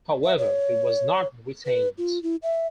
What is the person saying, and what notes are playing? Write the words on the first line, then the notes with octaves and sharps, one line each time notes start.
However, he was not retained.
E5
C#5
B4
F4
E4
E5